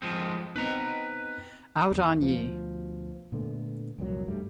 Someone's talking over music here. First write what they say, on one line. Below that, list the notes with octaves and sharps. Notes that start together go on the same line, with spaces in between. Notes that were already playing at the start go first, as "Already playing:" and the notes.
Out on ye!
F3 G#3 C4
B3 C4 D#4 B4 A#5
E2
D2 B2 F3
A#2 D3 A3 B3
C2 F2 A#2 F#3
G2 G3 A3